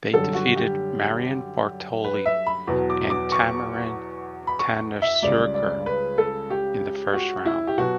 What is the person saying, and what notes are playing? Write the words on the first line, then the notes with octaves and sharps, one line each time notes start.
They defeated Marion Bartoli and Tamarine Tanasugarn in the first round.
F#2 D3 G3 A4
F#4
G4
B4
E5
B5
E2 B2 F#3
D6
D6
C#6
B5
C#6
E5
C#2 C#3 G3 D5
D5
B4
A4
G4
F#4
E4
G4
B2 F#3 F#4